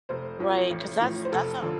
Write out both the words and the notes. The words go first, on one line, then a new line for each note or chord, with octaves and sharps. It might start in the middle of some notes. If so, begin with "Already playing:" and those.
Right, 'cause that's that's a
F1 C5
F2 F3
A1
A2 F3
C5
F1 A4
D3 F3